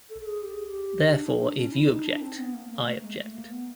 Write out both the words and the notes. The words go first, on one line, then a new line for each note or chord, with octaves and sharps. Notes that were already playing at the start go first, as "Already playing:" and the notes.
Therefore if you object, I object.
A4
A4
G#4
G4
G#4
G4
D4
D#4
D4
C#4
E4
D#4
D4
C4
B3
A#3
B3
A#3
A3
G#3
A3
A#3
B3